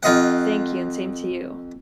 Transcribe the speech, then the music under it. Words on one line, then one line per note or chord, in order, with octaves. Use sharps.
Thank you, and same to you.
F2 F4 D#5 F#5